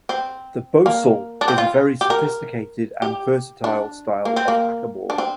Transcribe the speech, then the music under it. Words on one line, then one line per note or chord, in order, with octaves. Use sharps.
The bosal is a very sophisticated and versatile style of hackamore.
C4
A#3
D4
C4
F4
G4
A#4
G4
D4
A#3
C4
A#3
D4
C4